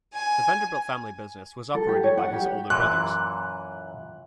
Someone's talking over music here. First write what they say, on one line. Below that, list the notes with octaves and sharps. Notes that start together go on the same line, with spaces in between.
The Vanderbilt family business was operated by his older brothers.
G#5
A4
G4
C#5
F#5
G4
F#2 A#2 E3 F#6